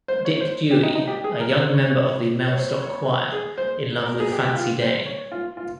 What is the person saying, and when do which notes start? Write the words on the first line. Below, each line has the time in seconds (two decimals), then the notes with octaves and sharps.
Dick Dewy, a young member of the Mellstock Choir, in love with Fancy Day.
0.08 C5
0.25 C#5
0.41 C5
0.71 G4
0.83 D#4
0.95 D#4
1.07 G4
1.24 G#4
1.40 A#4
1.58 C5
1.73 C#5
1.90 C#5
2.47 C#5
2.58 C5
2.83 C#5
3.32 G#4
3.58 C5
4.06 A#4
4.20 G#4
4.32 G4
4.44 G4
4.56 F4
4.82 C5
5.06 C#5
5.32 F4
5.57 F4